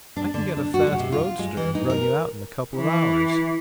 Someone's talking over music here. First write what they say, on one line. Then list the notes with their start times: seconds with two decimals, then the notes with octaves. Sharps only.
I can get a fast roadster and run you out in a couple of hours.
0.16 D4
0.34 D3
0.57 D4
0.74 F#4
0.87 G#3
0.99 C3
1.12 F4
1.39 G#3
1.57 E3
1.75 D#4
1.90 A#4
2.77 E3